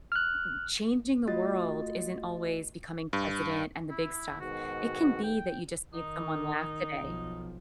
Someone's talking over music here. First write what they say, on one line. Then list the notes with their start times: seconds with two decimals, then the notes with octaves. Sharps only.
ee changing the world isn't always becoming president and the big stuff. It can be that you just made someone laugh today.
0.12 F6 F#6
1.27 A3 F4 F#4 D#5 A6
3.13 G2
3.90 E4
4.40 G#2 B2 D#3 F#4
5.24 G5
5.94 D#3 D#4
7.00 B1 F3